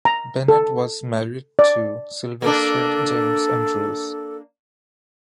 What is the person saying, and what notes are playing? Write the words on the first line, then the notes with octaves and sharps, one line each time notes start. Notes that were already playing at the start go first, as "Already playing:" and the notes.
Bennett was married to Sylvester James Andrews.
A#5
A4
D5
A#3 D4 A4